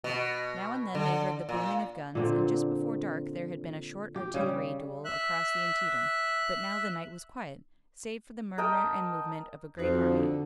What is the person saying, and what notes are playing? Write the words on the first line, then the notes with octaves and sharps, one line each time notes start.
Now and then they heard the booming of guns, and just before dark there had been a short artillery duel across the Antietam, but now the night was quiet, save for the murmur and movement of a great army.
B2
D3
A#2
A#2 D3 C4
G4
C#3 G3
E5 F#6
A#4 D#5 G5 A5
F2 D#4 F#4 C5
D3